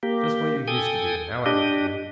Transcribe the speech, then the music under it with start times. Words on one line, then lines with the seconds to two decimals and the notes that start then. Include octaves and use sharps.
Just what you used to be, now I look at you!
0.03 A#3 G4
0.68 A4 G5 G#5 D#6
1.46 D4 G4 D#5